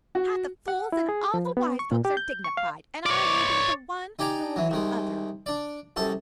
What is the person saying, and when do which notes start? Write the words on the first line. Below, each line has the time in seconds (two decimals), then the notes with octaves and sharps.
"Half the fools and all the wise folks are dignified, and I'm neither the one nor the other."
0.15 F#4
0.68 F#5
0.92 E4
1.09 G#4
1.34 F3
1.57 B3
1.79 C#6
1.92 A#2
2.05 G4
2.17 G6
2.44 C#6
2.57 F5
3.06 C#5 D5
4.19 D#4 G4 D5 G#5 A#5
4.56 E3 F#3
4.71 C2 D#3 G#3
5.46 D4 D5
5.96 C2 F#2 A4 A5